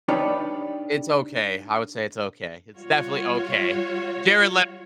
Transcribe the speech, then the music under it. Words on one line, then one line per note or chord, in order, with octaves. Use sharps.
it's okay, I would say it's okay, it's definitely okay. Jared Leto
D4 D#4 G4 B4 C#5 D5
G3 F4 F#4 C#5